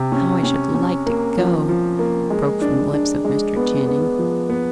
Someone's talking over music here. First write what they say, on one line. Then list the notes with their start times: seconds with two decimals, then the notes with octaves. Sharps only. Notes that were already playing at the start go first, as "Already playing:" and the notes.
"How I should like to go!" broke from the lips of Mr. Channing.
Already playing: C3
0.12 C#4
0.43 C#4
0.75 C#4
1.06 A#3
1.37 F3
1.69 F3
1.99 A#3
2.30 G#3
2.61 D4
2.93 D4
3.25 G#3
3.56 B3
3.87 B3
4.19 F3
4.50 B3